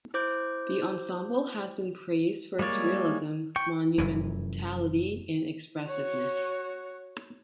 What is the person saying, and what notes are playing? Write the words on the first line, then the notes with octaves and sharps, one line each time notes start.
The ensemble has been praised for its realism, monumentality and expressiveness.
E4 C5 D6 G6
G3 G#3 A#3 C#5 D5
G5 C#6
F1 F#2 E3
F#4 C#5